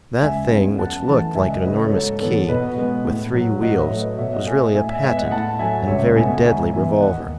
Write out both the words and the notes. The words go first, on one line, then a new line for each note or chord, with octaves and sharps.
That thing which looked like an enormous key with three wheels was really a patent and very deadly revolver.
C#2 E5 G#5
C#3 G#3 B3
F#2 F#5 A5
E3 A3 F#5 A5
C#2 E5 G#5
D#5 F#5
C#3 F#3 A3 B4 D#5
A4 C#5
G#2 A4 C#5
E3 B3 A4 C#5
B2 B4 D#5
G#3 B3
A2
F#3 A3
A2 D#5 F#5
C#5 E5
F#3 A3
B4 D#5
B2 C#5 E5
D#5 F#5
A3 E5 G#5
D#5 F#5
A2 E5 G#5
E5 G#5
G#3 B3 E5 G#5
D#5 F#5
A2 F#5 A5
F#3 A3 E5 G#5
C#2 C#5 E5
B2 A3 E5 G#5
G#2 E5 G#5
E3 B3 E5 G#5
D#2 D#5 F#5